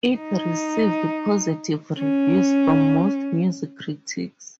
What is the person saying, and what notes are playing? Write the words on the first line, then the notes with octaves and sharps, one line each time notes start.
It received positive reviews from most music critics.
D#4
C#4